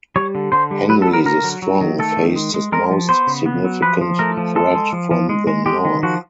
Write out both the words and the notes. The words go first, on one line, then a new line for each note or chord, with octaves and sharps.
Henry the Strong faced his most significant threat from the north.
G3 C#5
D3
D3 C5
G3
F#3 B4
A4
B3
A#4
D3 A#4
F#3
F#3
D#3
A3 A4
D#3
G#3
G#3
G#3 A#4
F3
B3 C5
C#3
B3
F#3
F3 B4
F3
A3 A#4
F3
G#3 A4
G#3
F3
F3
G#3
G#3
G#3 G4
D#3
F3 F#4